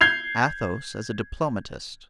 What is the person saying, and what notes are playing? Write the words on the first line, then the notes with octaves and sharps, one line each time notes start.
Athos as a Diplomatist.
G6 G#6 C7 F7